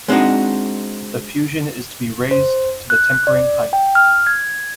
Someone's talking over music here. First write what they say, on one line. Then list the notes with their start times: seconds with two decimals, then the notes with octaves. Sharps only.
The fusion is to be raised to the tempering height.
0.08 G#3 C4 D4 D#4 F#4
2.31 C5
2.90 F#6
3.27 D5
3.73 G5
3.95 F6
4.27 G#6